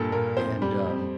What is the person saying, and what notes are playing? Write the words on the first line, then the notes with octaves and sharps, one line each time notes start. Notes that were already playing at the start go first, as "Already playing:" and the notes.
and, um,
Already playing: G2 A#2 A4
A#2 A#4
F2 C5
G3
F2